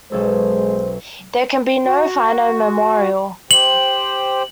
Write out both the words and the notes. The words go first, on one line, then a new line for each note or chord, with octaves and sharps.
There can be no finer memorial.
B1 G#3 C#4 A4 C5
F#4
G4 C5 G5 F#7